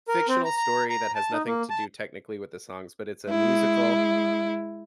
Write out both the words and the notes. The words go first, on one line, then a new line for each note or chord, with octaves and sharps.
fictional story that has nothing to do technically with the songs, but it's a musical,
A#4
C4
A#5
A#5
A#5
A5
D#4
A#3
A5
G#3 E4